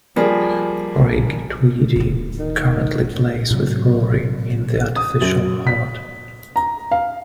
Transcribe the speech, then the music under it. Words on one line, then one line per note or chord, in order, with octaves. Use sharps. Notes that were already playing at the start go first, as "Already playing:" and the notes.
Craig Tweedy currently plays with Rory in The Artificial Heart.
F3 G3 A#3 G#4 A#4
D1 E4
D#3
A2 C3 F#3
D#6
F#2
B6
A#5
F5